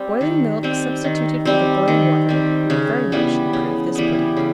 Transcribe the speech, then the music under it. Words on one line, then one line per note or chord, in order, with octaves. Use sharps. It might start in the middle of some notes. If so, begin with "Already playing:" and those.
Boiling milk substituted for the boiling water would very much improve this pudding.
Already playing: G3 C4
D#3
G3 C4
D#3
G3 C4
D#3
G3 C4
C#3
E3 G3 B3
C#3
E3 G3 B3
C#3